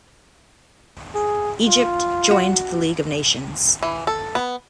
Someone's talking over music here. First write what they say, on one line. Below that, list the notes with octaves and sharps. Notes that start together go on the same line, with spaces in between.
Egypt joined the League of Nations.
G#4
F4
F#4
E3
A4
B3